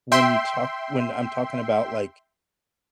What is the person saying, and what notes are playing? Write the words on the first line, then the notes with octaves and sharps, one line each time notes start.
when you talk when I'm talking about, like,
E5 G5 C6